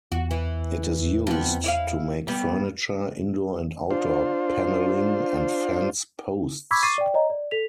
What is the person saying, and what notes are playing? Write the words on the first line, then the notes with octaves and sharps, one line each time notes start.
It is used to make furniture, indoor and outdoor panelling, and fence posts.
E2 F#4
E3
F2 B3
E4 D5 F5
G3 B3
D4 F4 C5
B5 C#6 D6 E6 G#6 B6
C#6 D6 A6 C7 D#7
D5 G5
C#5 D#5 A#5
D5
A4 B6 F7